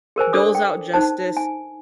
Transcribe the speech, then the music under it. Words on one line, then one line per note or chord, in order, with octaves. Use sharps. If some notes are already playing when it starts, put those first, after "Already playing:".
doles out justice,
G#4 A#4 C5 G#5
D4 A4 C5 D5 D6 D#6
G5
D#4 C5 A5
G#5